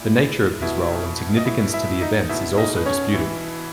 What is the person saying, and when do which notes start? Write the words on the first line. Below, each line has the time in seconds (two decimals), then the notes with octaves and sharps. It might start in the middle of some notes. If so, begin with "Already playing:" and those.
The nature of his role and significance to the events is also disputed.
Already playing: A#2 E4
0.62 B2 E4 E5
1.37 D#5
1.45 E4 E5
1.74 E4 E5
2.01 D#4 D#5
2.29 B2 E4 E5
2.57 D#4 D#5
2.77 B4
2.86 C#4 C#5
3.14 E3 E4